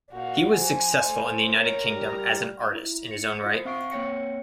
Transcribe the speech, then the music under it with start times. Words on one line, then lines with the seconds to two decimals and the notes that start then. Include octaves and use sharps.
He was successful in the United Kingdom as an artist in his own right.
0.13 A#2 F#4 F5
0.55 F3 C5 G#5
1.06 A3
1.54 A#4 C#5 A#5
1.92 G3
2.73 E4
3.11 C#7
3.41 F4 C5 D#6
3.65 C4 E5 F5 C#6 C7 D7
3.91 A#3 C4 C#5 G5 A#6 C#7